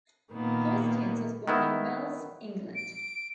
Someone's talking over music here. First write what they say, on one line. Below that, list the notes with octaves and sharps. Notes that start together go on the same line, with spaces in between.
Hoskins was born in Wells England.
A#2 D#3 A#3 B3
D#3 B3 E4
D7